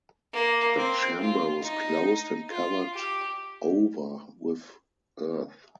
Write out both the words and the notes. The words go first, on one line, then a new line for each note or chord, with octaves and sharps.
The chamber was closed and covered over with earth.
A#3
C4
F4
D#4
F4
G4